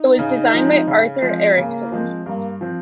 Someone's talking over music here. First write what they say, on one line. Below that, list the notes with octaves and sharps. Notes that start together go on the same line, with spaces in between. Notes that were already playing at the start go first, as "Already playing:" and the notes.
It was designed by Arthur Erickson.
Already playing: D#4
C#3
F3 G#3 C4
C#3
F3 G#3 C4
C#3 A#3
F3 G#3 C4
G2 A#3
F3 C4